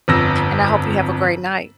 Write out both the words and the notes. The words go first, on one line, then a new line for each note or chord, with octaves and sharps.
and I hope you have a great night.
G1 F2 E6 A#6